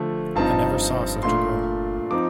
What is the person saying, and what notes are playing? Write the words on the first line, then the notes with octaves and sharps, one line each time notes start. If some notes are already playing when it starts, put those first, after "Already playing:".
I never saw such a girl!
Already playing: D3 F3 A3
G2 F3 C4 D#4 A5
A#2 A3 D4 F4 C6
F3 C4 D#4 D6